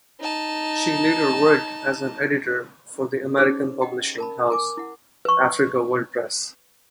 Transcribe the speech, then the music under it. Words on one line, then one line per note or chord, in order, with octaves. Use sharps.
She later worked as an editor for the American publishing house Africa World Press.
D#4 A5
C#4 D#4 G4 G#4 C5 C#5
D#5 F#5 G5
A#4 A5 B5
A#4 G#5 D6
E4 F#5
B4 C#6